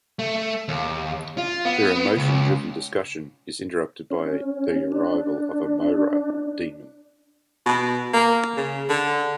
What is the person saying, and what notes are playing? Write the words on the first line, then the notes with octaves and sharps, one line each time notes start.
Their emotion-driven discussion is interrupted by the arrival of a Mohra demon.
A3
D#2
F4
B3
C#2
C#4
D4
B2
A#3
C#3
D3